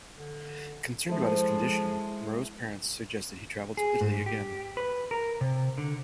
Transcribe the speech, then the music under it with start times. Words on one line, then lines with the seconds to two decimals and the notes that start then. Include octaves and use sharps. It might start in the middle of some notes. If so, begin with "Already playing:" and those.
Concerned about his condition, Moreau's parents suggested he travel to Italy again.
0.18 D3
1.09 F3 G#3 E4 A4 C5
3.77 G#4
4.01 G#2
4.26 G4
4.77 B4
5.11 A#4
5.41 C3
5.78 D3